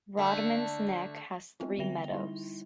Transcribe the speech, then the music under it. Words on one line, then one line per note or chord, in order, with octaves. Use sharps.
Rodman's Neck has three meadows.
D3 A3
G3 B3 C4 F4
D3 E5 G5 A#6 F7 G7
G3 D#4 E4